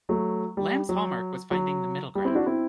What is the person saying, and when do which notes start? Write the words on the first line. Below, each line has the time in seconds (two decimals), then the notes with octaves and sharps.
Lamb's hallmark was finding the middle ground.
0.09 F#3 A3
0.57 G3
0.89 F#3
1.51 F#3
2.15 G3
2.25 C4 E4
2.35 D4 F#4
2.46 C4 E4